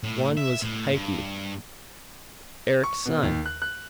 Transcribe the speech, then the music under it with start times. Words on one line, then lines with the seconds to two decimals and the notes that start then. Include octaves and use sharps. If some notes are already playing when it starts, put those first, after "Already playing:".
One was Haki, Eric's son.
0.03 A2
0.37 E5
0.62 A2
0.94 G2
2.84 C#6
3.06 B2
3.23 D#2
3.46 F#6
3.62 F#6